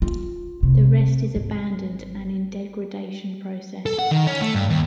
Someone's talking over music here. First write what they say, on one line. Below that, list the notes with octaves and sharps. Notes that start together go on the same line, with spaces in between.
The rest is abandoned and in degradation process.
F4
C3
G#1
A4
F#5
D#3
C#4
A3
G2
D#2